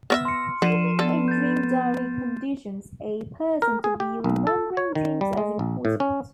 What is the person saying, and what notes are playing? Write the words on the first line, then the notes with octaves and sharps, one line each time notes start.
Keeping a dream diary conditions a person to view remembering dreams as important.
B3 C#5 E5 E6 F6 A#6
C6 C#7
D3 F3 C7 D#7 E7
D3 B3 A4
G6 A6
A#4
G#4
G4
B1
A4
C#5
D#3
G3
G#3
A#1
A2
C#4